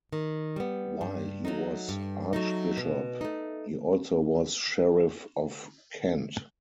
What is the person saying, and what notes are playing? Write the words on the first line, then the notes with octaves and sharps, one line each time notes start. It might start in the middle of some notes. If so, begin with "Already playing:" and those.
While he was archbishop, he also was sheriff of Kent.
D#3
G3 B3
G2
F#3 A3 D#4
G2
F#3 A3 D#4
B2
A3 D#4